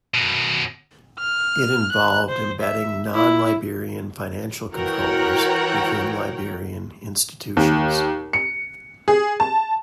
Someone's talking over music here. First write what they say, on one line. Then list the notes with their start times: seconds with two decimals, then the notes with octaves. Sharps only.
It involved embedding non-Liberian financial controllers within Liberian institutions.
0.14 F#2 B2
1.19 F6
1.92 F#6
2.29 C5
2.61 E5
3.15 E4
4.73 E3 F#4 A#4 C#5 F#5 G5
7.57 D#2
8.33 C#7
9.08 G#4
9.40 A5